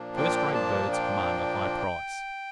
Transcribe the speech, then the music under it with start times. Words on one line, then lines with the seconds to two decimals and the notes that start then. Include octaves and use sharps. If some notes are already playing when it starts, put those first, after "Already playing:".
First-rate birds command a high price.
Already playing: A#2 F3 A#3 D4
0.17 G5
0.55 A5
0.92 G5